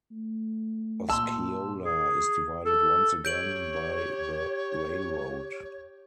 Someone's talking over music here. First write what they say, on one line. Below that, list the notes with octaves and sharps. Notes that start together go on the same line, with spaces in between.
Osceola is divided once again by the railroad.
A3
A#2 A5 A#5 C6 E6
G#4
A4
G4 C#5 G6 D7 F#7